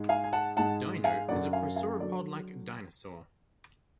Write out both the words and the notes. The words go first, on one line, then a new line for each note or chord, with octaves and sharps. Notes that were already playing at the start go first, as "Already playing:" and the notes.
Dino is a prosauropod-like dinosaur.
Already playing: G#2 G#3
F5 G#5
G#5
F#5 A5
G#2 G#3 F#5 A5
F5 G#5
F#2 D3 F#3 D5 F#5
F5 G#5
F5 G#5
D3 F#3 D5